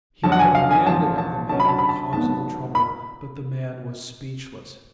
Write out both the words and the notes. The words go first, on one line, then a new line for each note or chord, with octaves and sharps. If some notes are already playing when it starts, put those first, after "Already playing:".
He demanded of the man the cause of the trouble, but the man was speechless.
F1 F2 D3 F#3 A5
F#5
G#5
F5
G#5
A1 G#2 F3 A5
A5
D2 D3 F#3 C#4 A5
B5
A5
B5
A5
G#1 G#2 F#3 B3 A5
B5